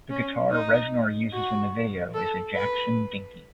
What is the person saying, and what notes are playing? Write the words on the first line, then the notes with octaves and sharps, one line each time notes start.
The guitar Reznor uses in the video is a Jackson Dinky.
C#4
D#4
F#4
A4
B4